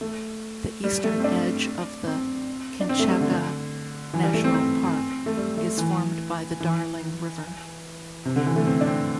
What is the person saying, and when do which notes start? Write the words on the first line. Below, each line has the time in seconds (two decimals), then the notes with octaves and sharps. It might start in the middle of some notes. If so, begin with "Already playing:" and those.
The eastern edge of the Kinchega National Park is formed by the Darling River.
0.01 A3
0.84 G3
1.04 A3
1.20 C4
1.24 D4
2.07 C4
2.80 D4
2.89 C4
2.99 A3
3.09 G3
3.21 D3
3.31 D3
4.14 E3
4.23 G3
4.34 A3
4.44 C4
4.54 C4
5.26 A3
5.37 G3
5.57 A3
5.78 E3
6.60 E3
8.25 C3
8.36 D3
8.46 E3
8.56 A3
8.67 C4
8.81 D4
8.87 C4